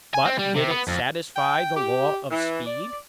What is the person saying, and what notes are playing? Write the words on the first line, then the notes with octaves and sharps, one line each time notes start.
But did it satisfy the law of speed?
G#5
C4
G3
C3
B3
F2
G5
G4
E3
D5